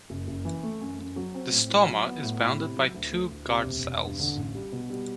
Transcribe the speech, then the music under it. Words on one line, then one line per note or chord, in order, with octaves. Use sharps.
The stoma is bounded by two guard cells.
F#1
F#1
E3
A3
F#2
F#2
F#3
C4
A2
E4
F#3
B3
A2
E4
C3
F#3
D2
A3
D2
C3
E1
E1
G2
D3
A1
G3
B2
G3